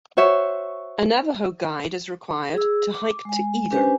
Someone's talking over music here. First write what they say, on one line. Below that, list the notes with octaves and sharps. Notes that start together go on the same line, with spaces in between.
A Navajo guide is required to hike to either.
F#4 C5 C#5 E5
G#4 E6
D6
G#3 G#5
C#4 D4 G4 B4 C5 G#5